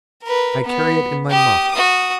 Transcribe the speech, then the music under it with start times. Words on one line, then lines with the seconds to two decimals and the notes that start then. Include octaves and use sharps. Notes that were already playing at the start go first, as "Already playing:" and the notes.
I carry it in my muff.
0.23 A#4 B4
0.64 B3
1.30 G4 D#6
1.72 F#4 D#6